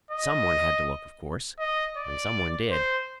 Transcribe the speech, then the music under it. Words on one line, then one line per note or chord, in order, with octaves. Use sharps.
Someone had to look, of course, and someone did.
D#5
D#5
D5
C5